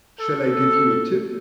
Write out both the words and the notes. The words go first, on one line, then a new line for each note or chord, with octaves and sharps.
Shall I give you a tip?
A4